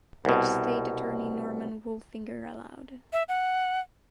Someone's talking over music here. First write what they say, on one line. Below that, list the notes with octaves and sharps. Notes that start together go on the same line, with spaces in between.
Which State Attorney Norman Wolfinger allowed.
C2 B2
E5
F#5